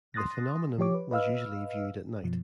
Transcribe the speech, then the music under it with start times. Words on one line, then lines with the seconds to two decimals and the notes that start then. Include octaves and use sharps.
The phenomenon was usually viewed at night.
0.14 C6 D#6 F#6 A6 A#6
0.78 F3 G4 C#5 D6
0.94 B4
1.11 B4 D#5 F5 E6 F6
2.23 F#2 B2 F3